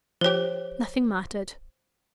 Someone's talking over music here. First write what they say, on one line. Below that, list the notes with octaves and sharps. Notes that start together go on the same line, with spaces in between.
Nothing mattered!
F3 G4 C5 C#5